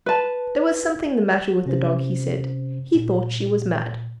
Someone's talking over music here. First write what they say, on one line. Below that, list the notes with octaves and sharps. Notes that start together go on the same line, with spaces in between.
There was something the matter with the dog, he said; he thought she was mad.
B4 A5
C3 C#4 C5
A#2